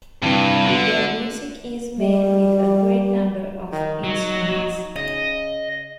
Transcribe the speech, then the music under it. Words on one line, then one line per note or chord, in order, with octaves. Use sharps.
Their music is made with a great number of instruments.
G2 C3 E3 G7
D3 B3 F#4
G3
D#3
F#3 D#4
C#3 D#5